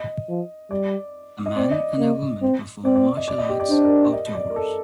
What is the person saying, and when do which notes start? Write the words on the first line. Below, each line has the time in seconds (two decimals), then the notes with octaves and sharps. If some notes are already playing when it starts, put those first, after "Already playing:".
A man and a woman perform martial arts outdoors.
Already playing: D#5
0.28 F3
0.71 G3 D5
1.46 D#5
1.56 C4 D5
1.71 D#5
1.99 A#3
2.42 C4
2.85 C4 D5
2.96 D5
3.17 D#5
3.28 D5
3.38 D#5
3.49 G4
3.60 D5
3.70 D4 C5
3.85 A#4
4.05 D5
4.13 D#5
4.35 D5
4.50 A#4
4.56 A4